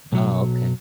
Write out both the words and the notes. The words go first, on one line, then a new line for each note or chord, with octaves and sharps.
Oh, okay.
B1 F#3